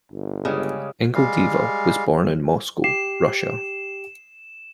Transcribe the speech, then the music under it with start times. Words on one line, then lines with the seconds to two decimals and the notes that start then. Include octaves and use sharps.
Ingildeeva was born in Moscow, Russia.
0.12 G1
0.45 C#3 G3 G#3
1.15 G3 G#3 F5
2.84 G4 C7 E7